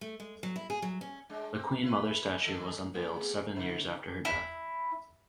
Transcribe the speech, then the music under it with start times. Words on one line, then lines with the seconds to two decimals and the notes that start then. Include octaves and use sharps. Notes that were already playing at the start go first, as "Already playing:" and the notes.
The Queen Mother statue was unveiled seven years after her death.
0.01 A3
0.20 G#3
0.43 F#3
0.56 E4
0.70 G#4
0.82 F#3
1.01 C#4
1.29 G#3 D4
1.54 C4
1.83 E4 B4
2.42 D#3 A4 D#5
2.94 A3 B3 G#4
3.55 C#3 D#4 C5
4.25 E4